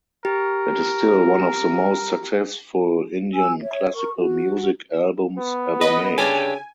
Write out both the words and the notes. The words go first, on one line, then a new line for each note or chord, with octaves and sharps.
It is still one of the most successful Indian classical music albums ever made.
G4 A#4
G#5 E6
C#5 E5
A#4 C#6
F#4
B3
B4 D#5
C#3 D4 G4 A4 G#5